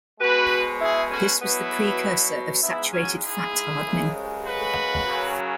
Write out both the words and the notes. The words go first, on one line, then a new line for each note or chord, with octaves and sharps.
This was the precursor of saturated fat hardening.
B2 G#3 F#4 B4
E4 G#4
C#4 F#4
B2 F#3 B3 E4
G#2 G#3 B3 E4
C#4 F#4
E4 G#4
F#2 C#3 G#3
F#4 B4
F#2 C#3 F#3